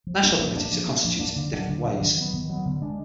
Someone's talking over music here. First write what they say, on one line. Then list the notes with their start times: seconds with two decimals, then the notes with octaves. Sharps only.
National committees are constituted in different ways.
0.07 F3
0.23 A#3 D4
0.39 F3
0.56 A#3 D4
0.72 F3
0.88 A#3 D4
1.04 F3
1.19 A#3 D4
1.36 D3
1.53 F#3 D4
1.68 D3
1.85 F#3 D4
2.01 D#3
2.17 F#3 B3
2.33 D#3
2.49 F#3 B3
2.66 D3
2.82 G#3 D4